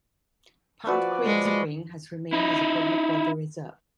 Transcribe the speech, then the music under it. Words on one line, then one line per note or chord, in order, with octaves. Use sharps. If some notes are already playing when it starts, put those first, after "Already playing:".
Pound Creek Spring has remained as a public Water Reserve.
F3 F#4 B4 D5
G#3
D#4 E4